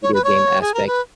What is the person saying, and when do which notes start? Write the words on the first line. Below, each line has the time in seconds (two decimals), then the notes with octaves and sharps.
video game aspect,
0.03 C#5
0.14 B4
0.24 C#5
0.61 G#4
0.74 A#4
0.87 B4